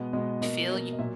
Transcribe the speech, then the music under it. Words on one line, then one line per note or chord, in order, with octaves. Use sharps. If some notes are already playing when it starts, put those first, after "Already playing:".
feel you
Already playing: B2 G#3 B3 D#5
B2 G#3 B3
B2 A#3 D#5
B2 A#3
D#5
A#2 F#3 E5